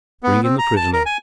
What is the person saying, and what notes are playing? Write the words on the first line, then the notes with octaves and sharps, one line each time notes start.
"Bring in the prisoner."
B3
C4
A#5
A5
A#4
G#5